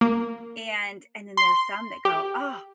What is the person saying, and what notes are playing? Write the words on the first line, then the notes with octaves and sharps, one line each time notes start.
and and then there's some that go, "Oh,
A#3
C6
G4